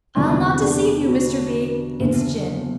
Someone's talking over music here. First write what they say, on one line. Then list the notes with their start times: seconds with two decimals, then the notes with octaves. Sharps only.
I'll not deceive you, Mr. B. It's gin.'
0.16 E1 D2 C3 E3 D4
0.62 D4
1.08 F#4
2.00 F#1 E2 D3